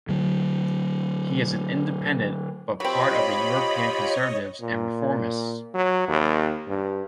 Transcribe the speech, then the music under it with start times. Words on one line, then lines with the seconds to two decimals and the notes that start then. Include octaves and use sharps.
He is an Independent, but part of the European Conservatives and Reformists.
0.09 D3 F#3
2.80 F#3 C4 F4 G4 C#5 D#5 B5
4.62 A#2
5.75 F#3
6.08 D#2
6.68 G2